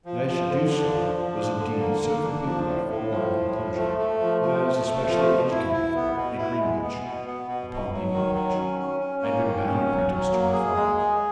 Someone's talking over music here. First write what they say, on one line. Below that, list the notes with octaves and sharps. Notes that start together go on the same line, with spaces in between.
That I should do so was indeed so completely a foregone conclusion, that I was especially educated for it at Greenwich; upon leaving which, I had been bound apprentice to my father.
F3
F3
D3
D4
F3
F3
D4
D3
A#3
A#3
D4
F3
A2
A2
F3
A2
F3
A3
A3
F3
F3
A3
A3
F3
B2
E4
E4
B3
B2
E4
G#3
B3
B2
B3
B2
B2
F#3
D#3
F#3
C#4
C#4
C#4
A#3
D#3
C#4
F#3
F#3
A#3
G#4
G#3
G#4